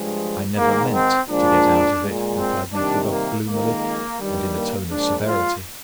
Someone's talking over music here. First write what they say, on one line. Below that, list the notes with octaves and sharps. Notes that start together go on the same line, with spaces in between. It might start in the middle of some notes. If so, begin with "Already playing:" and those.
"I never meant to get out of it," replied Nekhludoff, gloomily, and in a tone of severity.
Already playing: G2 F3 G#3
G#2 D#3 G#3 A#3
C4
A#2 F3 G#3 D4
A#2 G#3
C4
C3 D#3 G3 D4
A#3
F2 D#3 G#3 A#3
G2 D#3 G3
A#3
A#2 F3 G#3 D4
F4